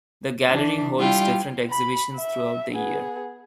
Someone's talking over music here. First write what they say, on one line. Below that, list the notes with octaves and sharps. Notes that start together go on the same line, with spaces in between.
The gallery holds different exhibitions throughout the year.
E3 D4
G3 E4 F4 G5
B5
E5
B3 G#4